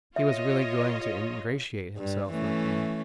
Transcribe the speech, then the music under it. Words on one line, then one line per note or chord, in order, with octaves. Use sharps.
He was really going to ingratiate himself with me.
F4 C#5 D#5 E5
G2
E3 A3 C#4